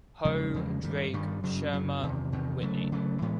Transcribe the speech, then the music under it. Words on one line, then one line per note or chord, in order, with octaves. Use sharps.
Howe, Drake, Shurmer, Whitney.
E2 C#3 F3 G#3
E2 C#3 F3 G#3
G2 D#3 G3
G2 D#3 G3
F#2 C#3 F#3
F#2 C#3 F#3
E2 C3 D#3
E2 C3 D#3
C#3 F#3 A3
C#3 F#3 A3
A2 E3 G#3 B3